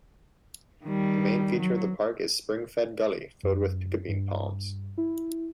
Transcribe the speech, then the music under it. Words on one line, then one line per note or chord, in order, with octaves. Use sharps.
The main feature of the park is spring-fed gully filled with piccabeen palms.
D#3 G3
F#3
F#2
G2
E4